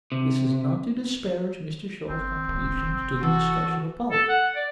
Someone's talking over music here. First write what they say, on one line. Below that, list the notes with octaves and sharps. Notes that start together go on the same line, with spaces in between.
This is not to disparage Mr. Shaw's contributions to the discussion of politics.
C3
G1 C4
D1 G#1
F1
E3 F#4 A4
A4
F#5
D5